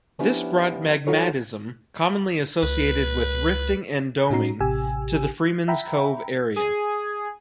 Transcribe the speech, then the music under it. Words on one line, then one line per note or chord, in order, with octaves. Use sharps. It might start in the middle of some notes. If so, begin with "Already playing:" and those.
This brought magmatism commonly associated with rifting and doming to the Freemans Cove area.
F3 B3 C#4 D4 E4 G4
F#3 D#4 F4 F#4 A4 C#5
C#2 B4
A2 C#4 D#4 F#4 A#5 C7
A1 C3 G4 G#5 E6
E5 F#5 G5 A#5 B5
G#4